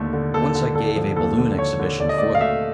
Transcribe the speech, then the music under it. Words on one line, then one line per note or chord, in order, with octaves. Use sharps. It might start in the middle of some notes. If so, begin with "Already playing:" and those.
Once I gave a balloon exhibition for them.
Already playing: D#2 D3 A3
D3
D#2 A4
D3
D3 A4
F3
D#2 A4
D3
D3 C#5
D3
D3 D5
D#5
A3 D5
F5
A3 E5